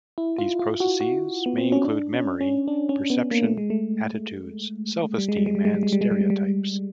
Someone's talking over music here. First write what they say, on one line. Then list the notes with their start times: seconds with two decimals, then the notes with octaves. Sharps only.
These processes may include memory, perception, attitudes, self-esteem, and stereotypes.
0.18 E4
0.38 F4
0.59 F4
0.80 F#4
1.01 F#4
1.46 B3
1.58 C4
1.72 C#4
1.85 D4
2.13 C#4
2.41 C#4
2.68 D4
2.89 C#4
3.10 B3
3.31 A#3
3.44 A3
3.57 G#3
3.70 A3
5.18 G3
5.29 G#3
5.37 G3
5.46 G#3
5.55 G3
5.65 G#3
5.74 G3
5.83 G#3
5.93 G3
6.01 G#3
6.11 G3
6.21 G#3
6.30 G3